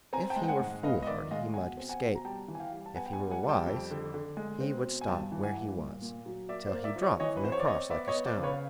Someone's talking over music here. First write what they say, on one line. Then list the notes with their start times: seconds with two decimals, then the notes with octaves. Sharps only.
If he were foolhardy he might escape; if he were wise he would stop where he was till he dropped from the cross like a stone.
0.13 C4 G#5 A#5
0.30 G5 A5
0.36 G#3
0.43 G5
0.48 F#5 G#5
0.60 G#2
0.83 B3 D#5 F5
1.03 D#5
1.07 D#3 D5 E5
1.31 G#3 D#5 F5
1.54 B2 F#5 G#5
1.77 C4
1.89 F#5 G#5
2.02 B2
2.15 A#5
2.25 G3 G5 A5
2.48 E3
2.55 G#5
2.60 F5 G5
2.72 G3
2.86 A5
2.95 B3 F#5 G#5
3.06 G5
3.13 F#5 G#5
3.19 G3
3.31 F#5 G#5
3.43 G3
3.49 G5 A5
3.66 F2
3.91 D3
4.14 D3
4.37 G#3
4.61 C4
4.84 B2
5.01 G#5
5.07 G2 G5 A5
5.32 E3
5.43 F#5 G#5
5.55 G2
5.78 A#2
6.02 A#2
6.26 F#3
6.49 A#3 D5 E5
6.67 C5 D5
6.72 A#3
6.84 D5 E5
6.96 F3
7.02 C#5 D#5
7.20 E3 C#5 D#5
7.37 B4
7.44 C4 C5
7.52 C#5
7.60 D5
7.67 C4 C#5 D#5
7.90 B3 D5 E5
8.08 C#5 D#5
8.14 B3
8.26 C5 D5
8.38 C#3
8.43 B4 C#5
8.54 F5